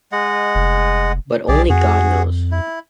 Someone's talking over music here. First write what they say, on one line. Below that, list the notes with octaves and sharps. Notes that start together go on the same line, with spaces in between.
But only God knows.
G#3 D#5 F#5
F1
B1 G4 G#4 D5
F2 F#4 G#4
E4